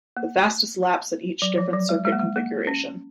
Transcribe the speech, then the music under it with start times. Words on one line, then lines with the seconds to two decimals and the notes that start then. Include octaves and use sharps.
The fastest laps at each different circuit configuration.
0.17 A#3
1.42 F#3
1.58 F3
1.73 F#3
1.89 G#3
2.05 G#3
2.12 A#3
2.19 G#3
2.36 A#3
2.67 C#4